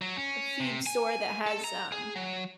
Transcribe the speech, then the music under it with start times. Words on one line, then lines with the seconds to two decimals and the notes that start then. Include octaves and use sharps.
a feed store that has, um,
0.02 F#3
0.17 C#4
0.60 C3
0.86 G#5
1.47 A4
1.64 A#5
1.92 G#4
2.16 F#3